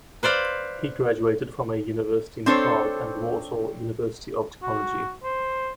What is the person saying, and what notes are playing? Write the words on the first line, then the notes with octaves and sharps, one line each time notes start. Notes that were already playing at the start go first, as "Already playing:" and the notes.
He graduated from a university in Prague and the Warsaw University of Technology.
B4 C5 D5 F5
C4 D4 A4 C5 C#5
F#4
C5